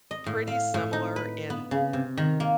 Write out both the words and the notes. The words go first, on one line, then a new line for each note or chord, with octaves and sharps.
pretty similar in
D#5
A2
F5
A2
D#4
B4
B3
C#3
C3
D#3
A#3